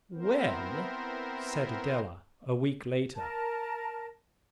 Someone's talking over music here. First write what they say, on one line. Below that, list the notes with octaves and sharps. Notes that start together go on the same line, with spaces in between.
"Well?" said Adela a week later.
B3 C4 E4 A#4 C5
A#4 A5